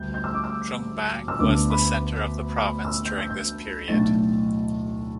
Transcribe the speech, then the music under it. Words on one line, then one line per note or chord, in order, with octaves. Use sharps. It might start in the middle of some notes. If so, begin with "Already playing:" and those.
Jungbang was the center of the province during this period.
Already playing: D2 D3 G3 G6
G6
E6
D6
E6
E6
D2 D3 B3 D4 D6
B5
E6
G6
E6
G6
B1 A2 A3 D4 A6